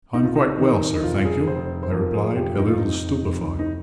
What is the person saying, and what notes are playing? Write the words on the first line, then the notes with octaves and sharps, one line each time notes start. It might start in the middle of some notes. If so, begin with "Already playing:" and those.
"I am quite well, sir, thank you," I replied, a little stupefied.
C2 D#4
F4
D#4
D#3
D#4
F1 F4
G#4
F1 C5
C5
F3 A#4
G#4
F1 G4
D#4
F4
F2 D#4
F1
D#4